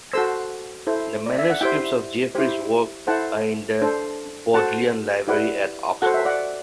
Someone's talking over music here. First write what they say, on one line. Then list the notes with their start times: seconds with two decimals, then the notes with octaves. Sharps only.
The manuscripts of Geoffrey's works are in the Bodleian Library at Oxford.
0.13 F#4 A4 C5 C6 E6
0.87 E4 A4 C5
1.26 D5
1.38 E5
1.50 F#5
1.61 E4 G4 C5 E5 G5
2.35 E4 G4 C5
3.07 E4 A4 C5 F#5 A5
3.81 D4 A4 C5
4.54 F#4 A4 C5 F#5 A5
5.27 E4 G4 B4 D5 F#5
6.02 F#4 A4 C5 F#5
6.14 E5
6.25 D5 F#5